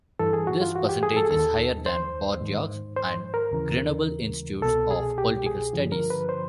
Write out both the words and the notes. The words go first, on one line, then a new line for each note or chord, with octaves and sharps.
This percentage is higher than in Bordeaux and Grenoble Institutes of Political Studies.
G2 E3 A4
G#4
F#4
F4
F#4
G4
G#4
A4
G#4
D#2 D#3 A4
C5
G#2 D#3
C5
A#4
D#2 C#3 E3
C2 B2 A4
G#4
G4
G#4
G2 D3 F3
A#4
B4
C5